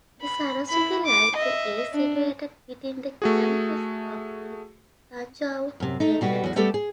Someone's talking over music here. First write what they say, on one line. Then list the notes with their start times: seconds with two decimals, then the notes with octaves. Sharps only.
The Saraswati Library is situated within the campus of the Thanjavur Palace.
0.21 B5
0.69 E4 B5
1.06 D6
1.36 D#5 E5
1.93 D4
3.22 A3 F#4 G#4
5.80 F#2 C3
6.00 A3 D#4
6.21 B2 G3 F#4 B4
6.44 E2 F#4
6.56 G3 A3 B3 G4 A4
6.74 G#4